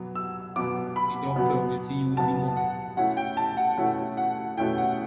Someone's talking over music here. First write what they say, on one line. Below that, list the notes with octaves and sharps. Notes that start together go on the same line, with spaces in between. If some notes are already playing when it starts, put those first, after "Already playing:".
The doctor will see you in the morning.
Already playing: B2 F#3 B3
E6
B2 F#3 B3 D6
B5
B2 F#3 B3
B2 F#3 B3 A5
F#5
B2 A3 C#4 E4 F#5
G5
A5
F#5
B2 A3 C#4 E4 F#5
F#5
B2 A3 C#4 E4 G5
F#5